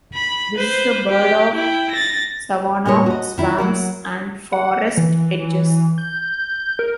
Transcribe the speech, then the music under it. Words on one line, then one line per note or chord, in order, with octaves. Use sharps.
This is a bird of savanna, swamps and forest edges.
B5
B4 C5
G4
E4 G5
A6 A#6
C#4
A#2 G3 A#4 B4 C#5
F#4 D#5
D#3 E4 F4
F#3 F#4 A#4
F#5
E3
G6
A#4